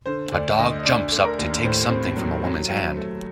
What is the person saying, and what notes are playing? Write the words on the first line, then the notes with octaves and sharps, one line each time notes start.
A dog jumps up to take something from a woman 's hand.
D3 C5
D2 D5
D2 D#5
D#5
D4 D5
A3
A#4
D#2
A2 C5
C4
F#3
F#3
F#3
A3